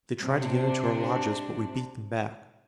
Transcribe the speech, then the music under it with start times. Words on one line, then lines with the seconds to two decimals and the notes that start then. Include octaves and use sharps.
They tried to get into our lodges, but we beat them back.
0.22 C3 D4